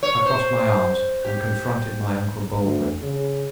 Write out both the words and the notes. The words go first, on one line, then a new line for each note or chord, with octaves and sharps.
I crossed my arms, and confronted my uncle boldly.
C#5
C5
G4
D2
C#3